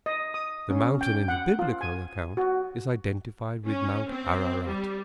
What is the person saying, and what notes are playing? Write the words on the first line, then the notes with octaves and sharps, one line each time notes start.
The mountain in the Biblical account is identified with Mount Ararat.
D#5
D#6
C#4
G5
F#5
F4
G#5
F#4
C#4
C4
G3